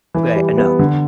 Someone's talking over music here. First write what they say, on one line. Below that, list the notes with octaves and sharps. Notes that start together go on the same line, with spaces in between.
okay, eh, none."
E3
G3
B3
D3